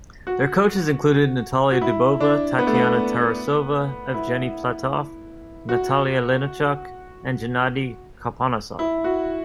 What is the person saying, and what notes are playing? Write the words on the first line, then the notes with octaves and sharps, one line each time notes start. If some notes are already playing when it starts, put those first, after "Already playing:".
Their coaches included Natalia Dubova, Tatiana Tarasova, Evgeni Platov, Natalia Linichuk and Gennadi Karponosov.
F#4
F#4
E4
D4
B3
A3
B3
E4
F#4
E4
F#4